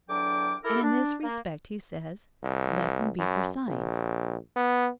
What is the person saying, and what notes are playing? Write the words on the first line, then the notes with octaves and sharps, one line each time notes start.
And in this respect he says: "Let them be for signs."
E2 D3 F#3 D4 G5 D6
E4 G4 A4 A#4
D4
A#3
C2
F#2
A#1
B3